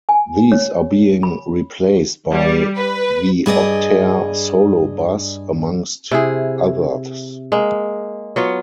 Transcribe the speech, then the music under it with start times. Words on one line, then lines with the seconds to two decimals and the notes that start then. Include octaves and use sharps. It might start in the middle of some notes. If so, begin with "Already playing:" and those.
These are being replaced by the Optare Solo bus, amongst others.
0.09 G#5
0.52 C#5
1.23 B5
2.31 G3
2.77 B4
3.46 G2 G#4 D5 D#5
6.11 C3 E4 G#4
7.52 G#3 A#3
8.36 F#3 B3 F4